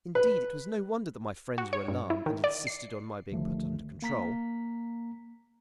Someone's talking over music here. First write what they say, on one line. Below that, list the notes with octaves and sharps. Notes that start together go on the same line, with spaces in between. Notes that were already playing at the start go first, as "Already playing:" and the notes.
Indeed, it was no wonder that my friends were alarmed, and insisted on my being put under control.
B4
F#4
C#5
G2
E4
D#3
D5
C7
C2 D3 D#3 F3 A3
A#3 A#5 B6